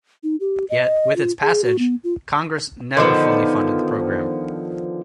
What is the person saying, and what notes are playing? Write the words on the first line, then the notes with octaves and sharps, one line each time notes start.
Yet with its passage, Congress never fully funded the program.
D#4
G4
D#5
F4
G#4
F#4
B3
F4
D3 D#3 F3 B3